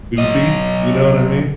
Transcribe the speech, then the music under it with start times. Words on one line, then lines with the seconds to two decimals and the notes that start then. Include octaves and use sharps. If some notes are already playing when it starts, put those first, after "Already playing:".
goofy, you know what I mean?
0.18 B1 D#5